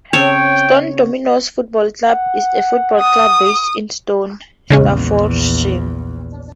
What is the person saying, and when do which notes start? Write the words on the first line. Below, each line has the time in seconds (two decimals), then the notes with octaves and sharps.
Stone Dominoes Football Club is a football club based in Stone, Staffordshire.
0.13 C#3 C4 C#5 G5 A5
2.06 F#5
3.00 D#6
4.70 A#1 E2 C#3 G#3 C#4